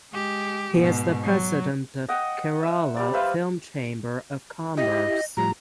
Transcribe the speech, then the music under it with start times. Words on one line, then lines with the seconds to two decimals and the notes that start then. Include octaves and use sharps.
He is the President of Kerala Film Chamber of Commerce.
0.13 G#3 G4
0.76 G#2 B2
1.23 F#3
2.09 D#5 F#5 G5
2.63 E5
2.97 G3 D5
3.13 B4 C5 E5 F5
4.77 E4 G4 D#5
5.37 A2 F3 G3 A#5